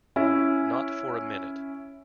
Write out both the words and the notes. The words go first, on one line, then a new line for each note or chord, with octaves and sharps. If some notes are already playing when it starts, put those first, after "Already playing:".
Not for a minute.
C#4 E4